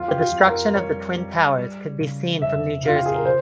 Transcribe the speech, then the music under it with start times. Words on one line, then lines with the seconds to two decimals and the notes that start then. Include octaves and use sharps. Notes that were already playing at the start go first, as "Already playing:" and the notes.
The destruction of the twin towers could be seen from New Jersey.
Already playing: F2 F4
0.08 G4
0.18 F4
0.32 F2
0.47 A#4
0.74 G3 C#5
1.17 G3
1.58 G3
2.00 C#3
2.41 F2 E5
2.83 C#3 F4
2.95 G4
3.06 G#4
3.15 A#4
3.25 C5